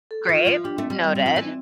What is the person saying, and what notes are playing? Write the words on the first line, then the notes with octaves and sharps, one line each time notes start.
Great. Noted.
A4
E3 F4
F3
F4
G3 D4
A3 C4
G3
C4
G3
F3
E3